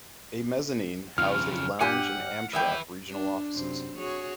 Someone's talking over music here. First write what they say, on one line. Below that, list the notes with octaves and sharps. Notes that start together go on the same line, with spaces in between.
A mezzanine housed a lounge and Amtrak regional offices.
F2 C#3 F4 F6
G2 G4 F#5 G#5
E2 G3 B4 E5 G5
D4
F#2 C3 C5
F#4 G#4 C#5